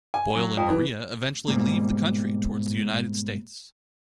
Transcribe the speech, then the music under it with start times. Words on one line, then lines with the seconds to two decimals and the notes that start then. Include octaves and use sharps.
Boyle and Maria eventually leave the country towards the United States.
0.14 G#5
0.35 F#3
0.57 F2
0.70 E3
1.48 G#2 B2 D3 D#3 G3 A#3